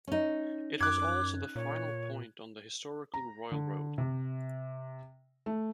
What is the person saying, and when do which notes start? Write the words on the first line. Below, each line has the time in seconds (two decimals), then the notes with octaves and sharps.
It was also the final point on the historical Royal Road.
0.07 C#4 D#4
0.81 F#2 D6 F#6 G#6
1.56 A#2 C#5
3.14 A#5
3.51 D3
3.98 C3
5.46 A3